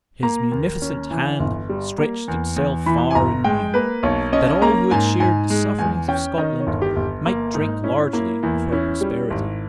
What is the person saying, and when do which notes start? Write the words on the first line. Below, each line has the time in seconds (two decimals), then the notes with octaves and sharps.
His munificent hand stretched itself far and near, that all who had shared the sufferings of Scotland might drink largely of her prosperity.
0.23 A#3 A#5
0.52 D#2
0.82 C#4
1.11 E3
1.40 G1
1.69 G3
1.98 A#3
2.28 E2
2.56 E2
2.86 E3 B5
3.11 G#5
3.15 G1 A#5
3.44 G#3 G5
3.74 A#3 B4
4.03 B1 C#5
4.33 C#4 D#5
4.62 A#3 A#5
4.91 G#2 G#5
5.20 G#2 G#5
5.50 G#3
5.79 E2 G#5
6.08 C#4 G5
6.38 D#3 D#5
6.60 C#5
6.67 G1
6.82 G4
6.96 G1
7.26 A#3
7.54 G#2 D#4
7.84 C#4 E4
8.13 A#3 E4
8.43 E2 E4
8.72 C#4 E4
9.01 G3
9.30 G#1